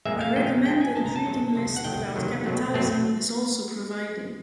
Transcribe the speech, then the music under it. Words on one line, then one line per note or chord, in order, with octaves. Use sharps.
A recommended reading list about capitalism is also provided.
A#2 F3 G#3 C4 E5
F5
A#2 F3 G#3 C4 G5
A#2 F3 G#3 C4 G5
G#5
A#2 F3 G#3 C4 A5
A#5
A5
C3 D#3 F#3 A3
C3 D#3 F#3 A3
F#5
C3 D#3 F#3 A3 G5
C3 D#3 F#3 A3
B2 F#3 A3 C4
B2 F#3 A3 C4